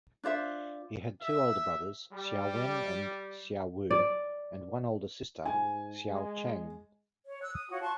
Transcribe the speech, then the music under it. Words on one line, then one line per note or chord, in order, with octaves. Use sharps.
He had two older brothers, Hsiao-wen and Hsiao-wu, and one older sister, Hsiao-chang.
D4 F4 C5 E5
E5
G3
D5
G#2 G#5
G#3
C#5
E6 F#6
D#6
F4 F#4 C#5
A5 C6 C#6 F#6